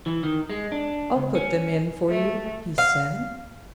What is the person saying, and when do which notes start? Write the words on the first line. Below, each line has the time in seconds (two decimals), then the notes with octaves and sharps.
"I'll put them in for you," he said.
0.06 E3
0.23 D#3
0.50 G#3
0.72 D4
1.16 C#2
1.35 C#4
2.09 A3
2.78 F5